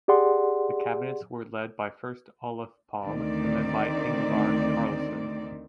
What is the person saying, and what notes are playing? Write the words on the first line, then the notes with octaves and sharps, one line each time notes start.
The cabinets were led by first Olof Palme and then by Ingvar Carlsson.
G4 G#4 D5 F#5 C6
D2 D#3 C4 D5